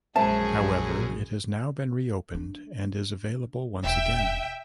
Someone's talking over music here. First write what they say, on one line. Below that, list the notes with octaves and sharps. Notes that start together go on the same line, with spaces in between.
However it has now been reopened and is available once again.
A#1 F#2 G#3 G#4 C5 E5 A5
D4
E1 E5 G5